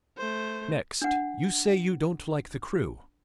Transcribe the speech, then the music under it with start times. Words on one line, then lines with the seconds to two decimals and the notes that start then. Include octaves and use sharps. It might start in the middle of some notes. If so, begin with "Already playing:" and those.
Next, you say you don't like the crew.
0.17 A3 C5
1.02 D4 F#5